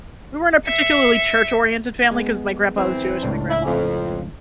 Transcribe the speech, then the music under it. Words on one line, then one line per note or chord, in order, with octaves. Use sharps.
We weren't a particularly church-oriented family 'cause my grandpa was Jewish, my grandma was
E5 C#7
G#3 B3
E3 C4
C#2 A2 D4
E4
F2